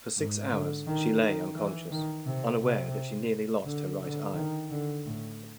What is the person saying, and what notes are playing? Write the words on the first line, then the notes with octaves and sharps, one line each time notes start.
For six hours, she lay unconscious, unaware that she nearly lost her right eye.
G#2
D3
D#3
D#3
E3
D#3
C3
C3
D3
D3
D#3
D3
A2